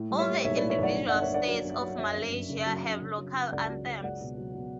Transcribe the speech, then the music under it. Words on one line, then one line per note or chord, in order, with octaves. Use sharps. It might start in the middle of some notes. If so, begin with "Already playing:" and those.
All the individual states of Malaysia have local anthems.
Already playing: A2
G3
C#5 E5
G3
B1 C#5 E5
B4 D5
A2
C#5 E5
B1 D5 F#5
G1
D5 F#5
G1
C#5 E5
G2 D5 F#5
F#3
G1
F#3
F#2 C#5 E5
G1
F#2
C#3
F#3
C#3
C#3
F#3
C#3
C#2 D5 F#5
F#3
C#3
C#2 D5 F#5
B2
F#3
B2